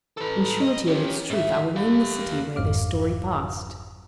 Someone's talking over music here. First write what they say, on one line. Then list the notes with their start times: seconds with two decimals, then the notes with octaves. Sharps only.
In surety of its truth I will name the city where this story passed.
0.17 A4 B4
0.61 D#5
0.87 C#4 G4
1.31 G#2 E5
1.76 G4 F5
2.56 G1 F2 G#2 F5 D6